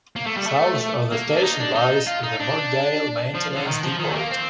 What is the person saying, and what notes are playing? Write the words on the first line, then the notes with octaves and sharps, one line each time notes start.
South of the station lies the Mortdale Maintenance Depot.
A#3
A3
G3
A3
A#3
D4
D#4
D4
D#4
F4
D#4
D4
F3
D3
D#3
F3
D#3
A3
A#3
C4